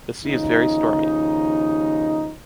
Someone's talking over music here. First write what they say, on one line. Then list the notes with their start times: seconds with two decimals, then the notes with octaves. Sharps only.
The sea is very stormy.
0.24 D#2 C#3 F3 D#4